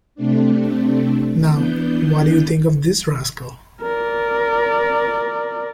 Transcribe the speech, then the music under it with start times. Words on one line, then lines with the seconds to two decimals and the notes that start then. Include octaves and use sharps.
Now, what do you think of this rascal?
0.15 C3 A3 C4 D4
1.52 E3 B3 D4 G6
3.82 A#4 D5